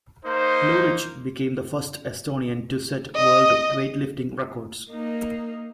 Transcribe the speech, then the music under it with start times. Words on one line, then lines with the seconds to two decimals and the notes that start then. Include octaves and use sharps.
Lurich became the first Estonian to set world weightlifting records.
0.25 A#3 D#4 C5
3.16 D#5
4.91 A#3 D#4